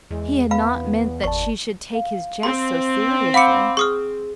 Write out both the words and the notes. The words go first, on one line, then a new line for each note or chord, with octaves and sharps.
He had not meant that she should take his jest so seriously.
E2 G#3
B3 F5 B5
G1 D5 A5 C#6
F5
C4 C6
F5 F#5 B5 D6 C#7
G#4 C#6 D#6 F6